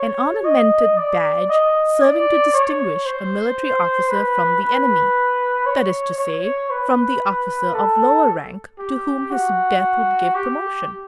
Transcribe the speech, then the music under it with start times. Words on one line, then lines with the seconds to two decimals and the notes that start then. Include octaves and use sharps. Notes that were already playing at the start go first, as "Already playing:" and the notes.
An ornamented badge, serving to distinguish a military officer from the enemy--that is to say, from the officer of lower rank to whom his death would give promotion.
Already playing: C#5
0.44 D#5
0.97 D5
1.49 D#5
2.01 D5
2.53 C#5
3.05 C5
4.09 B4
4.62 B4
5.66 C#5
6.18 C#5
6.70 B4
7.74 A4
8.79 G4
9.31 F#4
10.35 G4